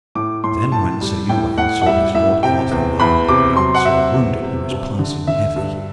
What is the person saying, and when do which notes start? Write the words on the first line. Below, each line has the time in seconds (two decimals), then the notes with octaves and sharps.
Then when Sir Uwaine saw his lord Arthur lie on the ground sore wounded, he was passing heavy.
0.15 A2 D6
0.44 A2 C6
0.72 A2 A5
1.01 G3
1.29 A2 G5
1.58 A2 F#5
1.82 F#5
1.86 G3 E5
2.14 A2 E5
2.43 C3 G5
2.71 E2
3.00 E2 B5
3.28 C3 D6
3.57 F#3 C6
3.74 F#5
3.85 C3 E5
4.14 E2
4.42 C3
4.71 G2
4.99 D3
5.27 D3 E5
5.56 G2